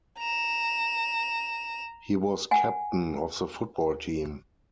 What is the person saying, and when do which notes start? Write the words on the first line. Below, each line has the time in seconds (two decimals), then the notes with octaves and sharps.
He was captain of the football team.
0.19 A#5 E7
2.51 F#5 G#5